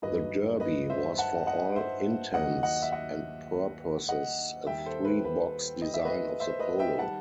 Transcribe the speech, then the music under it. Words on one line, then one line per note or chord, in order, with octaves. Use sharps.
The Derby was for all intents and purposes a three-box design of the Polo.
G2 D#3 F#3 B4 D#5
B4 D#5
C5 E5
F#5 A5
D#5 F#5
C5 E5
D#2 D#3 F#3 D#5 F#5
D#5 F#5
E5
D#5 F#5
D#5 F#5
D#2 D#3 G3 E5 G5
A4 C5
B4
B4
D#5
E5
B4 D#5
C5 E5
B4 D#5
E5 G5
D#3 G3 F#5 A5